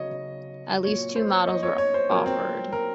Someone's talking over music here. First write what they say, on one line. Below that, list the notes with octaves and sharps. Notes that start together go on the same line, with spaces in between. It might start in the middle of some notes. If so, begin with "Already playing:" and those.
At least two models were offered.
Already playing: C#3 F#3 C#5 D#5
A#2 F#3 C#5
C5
C#5
D#5
C#5
C#5
C5
A#2 F#3 A#4
C4
A#4